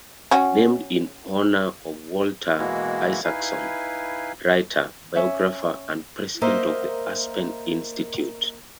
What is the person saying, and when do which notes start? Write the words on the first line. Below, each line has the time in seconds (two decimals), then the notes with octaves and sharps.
Named in honor of Walter Isaacson, writer, biographer and president of the Aspen Institute.
0.31 C#4 F#4
2.58 B2 E3 G#3 A#3 E4 F#4
3.24 D#4 E4 B4 F5 G#5
5.16 C#4 E5
6.41 A#3 A#4 C5 D#5 E5